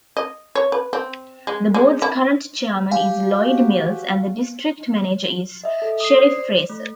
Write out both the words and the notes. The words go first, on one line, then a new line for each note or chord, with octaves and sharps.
The Board's current Chairman is Lloyd Mills, and the District Manager is Sherif Fraser.
D#5
C#5
B4
C4
G#3
G#3
E4
G4 F5 G#5
F#4
D#5 E5
A4
D#6 C7
C5 D5
A3